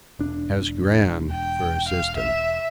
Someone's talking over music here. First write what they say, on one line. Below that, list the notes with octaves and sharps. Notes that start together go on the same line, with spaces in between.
He has Gran for assistant.
E1 D4
G5
F5
E5